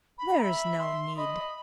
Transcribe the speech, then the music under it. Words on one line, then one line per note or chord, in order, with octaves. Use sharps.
There's no need.
B5
A#5
E5 B5
C6
D#5 B5